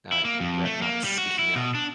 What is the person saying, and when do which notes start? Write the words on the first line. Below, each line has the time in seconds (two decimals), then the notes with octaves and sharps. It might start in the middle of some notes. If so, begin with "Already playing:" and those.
not regret not speaking up.
0.12 E4
0.25 A#3
0.40 F2
0.65 A3
0.82 A#3
1.04 G3
1.18 F#4
1.39 E4
1.55 B2
1.75 D4